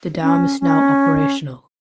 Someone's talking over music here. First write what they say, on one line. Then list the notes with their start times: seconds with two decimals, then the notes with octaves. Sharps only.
The dam is now operational.
0.22 C#4
0.60 C#4